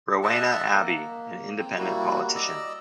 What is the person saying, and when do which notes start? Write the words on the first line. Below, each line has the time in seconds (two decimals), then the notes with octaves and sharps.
Rowena Abbey, an independent politician.
0.23 D#5 E5 F#5 A5
0.73 A#3
1.59 C4
1.78 G3 A#3 E4 F#4
2.36 D5 D#5 E6